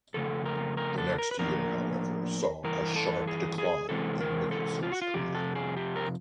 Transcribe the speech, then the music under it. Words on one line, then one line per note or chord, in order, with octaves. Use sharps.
The next year, however, saw a sharp decline in Nicholson's career.
F2 C#3 A3 A4
A#4
A#4
A4
A#4
B4
A2 F3 A#3 D4 A#4
G2 E3 A#4
A4
G#4
G#4
C3 E3 G#3 C4 A4
A#4
A4
F4
F#4
F4
F2 C3 F3 G4
A4
G#4
G4
A#4